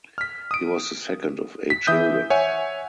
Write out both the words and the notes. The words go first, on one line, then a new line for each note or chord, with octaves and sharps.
He was the second of eight children.
F6 B6
D#6 D7
B6
E3 E5 D#6 G6
C#5 E5 F#5 G#5